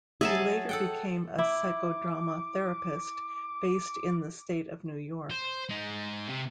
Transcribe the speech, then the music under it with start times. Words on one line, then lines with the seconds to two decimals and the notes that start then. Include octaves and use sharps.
He later became a psychodrama therapist based in the state of New York.
0.21 F#3 G#4 E5 G#5 A5
0.69 A4 F#5 G5
1.38 E4 D6
5.31 C5
5.69 G#3 D#4
6.28 C3